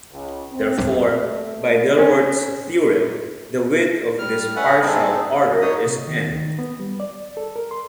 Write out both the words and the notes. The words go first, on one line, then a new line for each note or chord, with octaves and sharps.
Therefore, by Dilworth's theorem, the width of this partial order is "n".
C#2
C4
A3
C4 C#4
G3 F6
C#4 B4 E5 F#5
G3 C4 D4 D#4 G#4 A4
A2
D#4 C#5 D#6
C3
D#3
D#3
B3
G3
D5
A4
A#4
C6